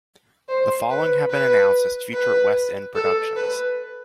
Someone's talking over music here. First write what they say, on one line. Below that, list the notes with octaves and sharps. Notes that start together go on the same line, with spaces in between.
The following have been announced as future West End productions.
C5
B4
B4
B4
A4
B4